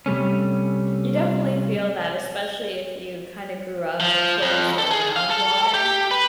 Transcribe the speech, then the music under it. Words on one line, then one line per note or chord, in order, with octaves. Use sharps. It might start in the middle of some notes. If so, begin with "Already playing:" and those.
You definitely feel that, especially if you kinda grew up close or around water,
C3 G3 A3 C#4
F3
F2
A4
G#4
F5
A4
G4
B4